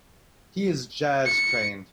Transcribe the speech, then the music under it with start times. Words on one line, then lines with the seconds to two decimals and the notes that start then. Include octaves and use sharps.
He is jazz trained.
1.26 C#7